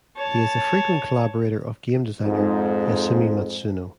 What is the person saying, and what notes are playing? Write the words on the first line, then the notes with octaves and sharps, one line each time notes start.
He is a frequent collaborator of game designer Yasumi Matsuno.
C#5 A5
F2 G#2